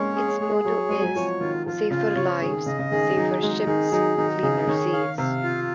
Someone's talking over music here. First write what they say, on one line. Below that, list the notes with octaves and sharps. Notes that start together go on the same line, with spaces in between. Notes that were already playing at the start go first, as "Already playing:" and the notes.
Its motto is "Safer Lives, Safer Ships, Cleaner Seas".
Already playing: G#3 A#3 C#4 C#5
G#4
G#4
F#3 C#5
G#3 G#5
F#3
F3 C#5
D#3 F4
F3 F4
C#3 F4
C#3 C#5
D#3 G#4
C#3 D#5
C#3
D#3 G#4
D#3
F#3 D#4
G#3 D#4
D#3 G#4
F#3 D#4
D#3 D#4
C#3 G#4
D#3 C#5
F5
C3 F5
F4